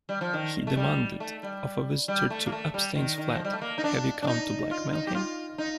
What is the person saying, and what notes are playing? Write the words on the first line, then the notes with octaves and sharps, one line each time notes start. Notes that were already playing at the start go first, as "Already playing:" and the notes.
He demanded of a visitor to Epstein's flat, Have you come to blackmail him?
G3
F3
D#3
A3
G3
A3
G3
G3
A3
A#3
A3
G3
D#3
D#3
F3
G3
A3
A#3
D#4
D4
D4
D#4
F4
D#4
G4
F4
D#4